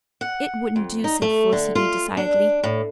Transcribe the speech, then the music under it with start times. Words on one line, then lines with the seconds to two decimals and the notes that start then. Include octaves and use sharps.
"It wouldn't do," said Felicity decidedly.
0.21 F#5
0.76 F2
1.04 D#4
1.22 A3
1.53 D3
1.75 F4
2.17 D4
2.64 A2